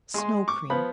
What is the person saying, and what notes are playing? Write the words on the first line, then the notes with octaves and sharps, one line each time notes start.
Snow Cream.
G#3 C6
C#6 D6
F3 B3 B5